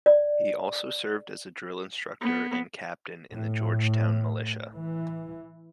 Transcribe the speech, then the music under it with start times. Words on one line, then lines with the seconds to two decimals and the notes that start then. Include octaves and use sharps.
He also served as a drill instructor and captain in the Georgetown militia.
0.06 D5
2.21 B3
3.33 A2
4.73 E3